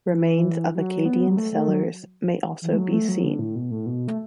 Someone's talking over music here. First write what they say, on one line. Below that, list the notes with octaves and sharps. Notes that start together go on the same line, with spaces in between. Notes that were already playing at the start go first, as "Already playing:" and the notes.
Remains of Acadian cellars may also be seen.
E3
F#3
B3
F#3
A3
A3
F#3
E3
A3
F#3
A3
F#3
D3
A2
B2
A2
B2
A3